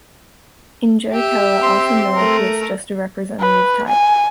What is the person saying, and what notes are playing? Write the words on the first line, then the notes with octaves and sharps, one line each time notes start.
In Joe Keller, Arthur Miller creates just a representative type.
G4 E5
C4 C6
A3 A#4
B4
G#5